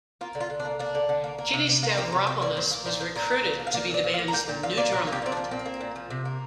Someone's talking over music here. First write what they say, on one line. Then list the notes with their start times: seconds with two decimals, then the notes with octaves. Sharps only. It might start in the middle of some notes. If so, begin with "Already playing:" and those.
Kenny Stavropoulos was recruited to be the band's new drummer.
0.21 A#3 F4
0.35 D3
0.40 F4
0.50 D3
0.60 D4
0.65 A#3
0.79 A#3 D4
0.95 D3
1.09 D3
1.24 A#3
1.38 A#3
1.54 C3
1.68 C3
1.83 A#3
1.97 A#3 G4
2.12 C3 A#5
2.27 C3 G5
2.41 A#3 D5
2.57 A#2 C5
2.71 A#3
2.86 A#2 C5
3.01 F3 C5
3.16 A#2 A#4
3.30 A#3
3.45 A#2
3.59 F3
3.67 F5
3.74 A#3 D5
3.90 A#2 D5
4.04 A#2
4.14 F5
4.19 A#3
4.28 A#5
4.33 A#3 G5
4.48 A#2 G5
4.63 A#2 F5
4.78 A#3 D5
4.92 A#2 A#4
5.07 A#3
5.12 G4
5.22 A#2 C4
5.32 D4
5.37 F3
5.51 A#2 C4
5.66 A#3
5.81 A#2
5.96 F3
6.10 C3
6.25 A#3